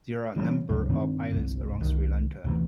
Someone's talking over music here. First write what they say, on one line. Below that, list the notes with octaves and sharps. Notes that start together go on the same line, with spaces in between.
There are number of islands around Sri Lanka.
E3 G3 G#3 C#4
C#2 G2 C3 F#3
G2 D#3 C4
G1 C2
C2 D#3
D2 C3 E3